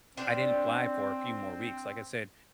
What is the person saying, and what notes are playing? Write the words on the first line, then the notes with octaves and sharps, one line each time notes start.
I didn't fly for a few more weeks. Like I said,
C4 D4 C5 F5